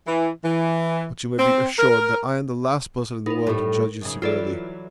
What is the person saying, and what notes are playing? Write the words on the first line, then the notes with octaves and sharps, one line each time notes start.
But you may be assured that I am the last person in the world to judge you severely.
E3
E3
C4
A#4
B3 D#4 A#4
A2 G3
F#2 C#3
E3 F#3 F4 A4 D5